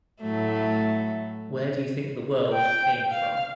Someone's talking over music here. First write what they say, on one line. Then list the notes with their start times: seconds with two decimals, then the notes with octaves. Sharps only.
Where do you think the world came from?
0.21 A2 F#3 A3
2.53 G5
3.09 F5